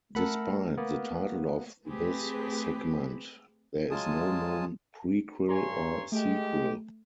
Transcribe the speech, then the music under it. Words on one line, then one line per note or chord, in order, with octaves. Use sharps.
Despite the title of this segment, there is no known prequel or sequel.
A3 A4 A#4 F#5 B5
A#3 B3
A3 C4 G4 G#4 B4
F#3 G#3 F4 G#5 A5 D#6
G2 C#5 G#5 A#5 C6
G#3 A3 G4